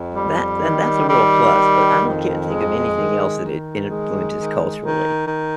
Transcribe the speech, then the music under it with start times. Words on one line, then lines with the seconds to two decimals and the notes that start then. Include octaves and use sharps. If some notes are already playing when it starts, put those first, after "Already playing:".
that and that's a real plus, but I don't can't think of anything else that it influences culturally,
Already playing: F2
0.15 G3
0.62 D#3
1.08 G3
1.55 D#3
2.02 F2
2.47 G#3
2.95 D#3
3.41 D#3
3.88 G#3
4.35 D#3
4.81 D#3
5.28 D#3